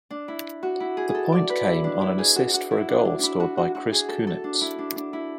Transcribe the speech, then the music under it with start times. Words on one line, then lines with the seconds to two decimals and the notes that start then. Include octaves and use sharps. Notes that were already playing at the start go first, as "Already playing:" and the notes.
The point came on an assist for a goal scored by Chris Kunitz.
0.10 D4
0.28 E4
0.63 F#4
0.80 E4
0.97 G#4
1.09 G#4
1.15 A4
1.32 D5
1.50 B4
1.67 E4
1.84 D4
2.01 E4
2.19 G#4
2.36 F#4
2.54 F#4
2.71 E4
2.88 D4
3.05 D4
3.19 D4 E4
3.40 F#4
3.57 F#4
3.75 F#4
3.92 G#4
4.09 A4
4.27 A4
4.44 D4
4.61 E4
4.79 D4
4.96 D4
5.13 E4